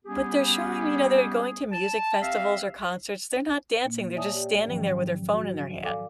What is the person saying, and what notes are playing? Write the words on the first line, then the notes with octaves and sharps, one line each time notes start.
But, they're showing me that they're going to music festivals or concerts, they're not dancing, they're just standing there with their phone in their hand.
G3 B3 C#4 G4 G#4
A5
C4 G4 E5 F5
A#2 A#3
C#5 D5 E5 G#5 A5 D#6
G4 D5 G5
G#2 D#3 F3 F#3 C#4 G5
F#4
A4 D5 F5 G#5 D6